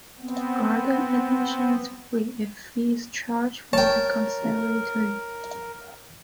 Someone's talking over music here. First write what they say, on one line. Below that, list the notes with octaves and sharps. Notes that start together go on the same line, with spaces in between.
Garden admission is free; a fee is charged for the conservatory.
B3 C4
A#4 C#5 G5 A5